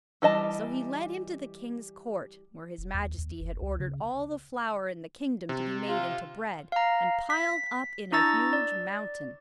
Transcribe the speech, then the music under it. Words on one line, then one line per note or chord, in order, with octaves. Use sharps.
So he led him to the king's court, where his majesty had ordered all the flour in the kingdom to be made into bread, and piled up in a huge mountain.
E3 G3 D#5 A5
E1
D#2
D#2
F#1
C#2
C#3
C3
F4
F5 A#5
B6
D4 E4 A#5 C#6 E6 A6
D5